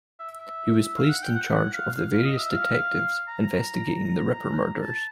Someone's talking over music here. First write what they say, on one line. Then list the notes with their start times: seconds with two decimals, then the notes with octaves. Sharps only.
He was placed in charge of the various detectives investigating the Ripper murders.
0.20 E5
0.97 F5
1.09 F#5
1.22 G5
1.35 F#5
1.73 F5
1.93 F5
2.12 F5
2.25 D#5
2.38 E5
2.50 F5
3.28 A#5
4.05 A#5
4.82 A5
4.95 A5